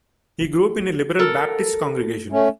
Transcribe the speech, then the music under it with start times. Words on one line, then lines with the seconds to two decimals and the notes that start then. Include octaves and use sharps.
He grew up in a liberal Baptist congregation.
1.19 A4 A#4
2.32 A3 C#4